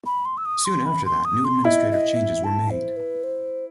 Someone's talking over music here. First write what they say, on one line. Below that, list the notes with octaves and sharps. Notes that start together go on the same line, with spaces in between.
Soon after that, new administrative changes were made.
B5
C6
E6
D#6
C6
B5
C6
D#6
C6
E4 D#5
D#5
E5
A5
C5
B4
C5